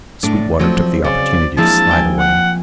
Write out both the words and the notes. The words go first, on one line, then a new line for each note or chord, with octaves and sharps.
Sweetwater took the opportunity to slide away.
A2 D4 D5
F3 F#3 A3 C4
C#3 D5
F3 G#3 A#3 D4 E4 F4 A5
G5 G#5
F#5